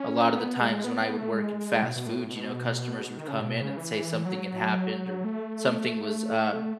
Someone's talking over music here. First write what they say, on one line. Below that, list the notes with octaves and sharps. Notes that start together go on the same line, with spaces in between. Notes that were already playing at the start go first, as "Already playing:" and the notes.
a lot of the times when I would work in fast food, you know, customers would come in and say something had happened or something was, um,
Already playing: C#4
C#4
B3
G#3
B3
B3
A3
G#3
B2
B2
A2
B2
D#3
C#3
A2
B2
C#3
E3
F#3
A3